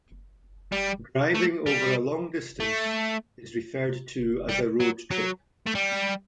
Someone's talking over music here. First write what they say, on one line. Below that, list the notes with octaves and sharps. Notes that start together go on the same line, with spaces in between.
Driving over a long distance is referred to as a road trip.
G3
A3
G3
A3
G3
F#3
F#3
A3
G3